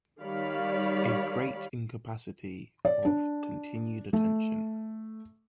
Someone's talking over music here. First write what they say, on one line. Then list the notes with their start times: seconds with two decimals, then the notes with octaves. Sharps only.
A great incapacity of continued attention.
0.21 D#3 G3 C#5 D5 F5 B5
2.85 D5
3.05 D4
4.13 A3